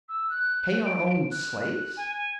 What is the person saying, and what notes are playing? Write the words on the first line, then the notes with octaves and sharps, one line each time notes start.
"Pay our own slaves?"
E6
F#6
D7
F#6
G#5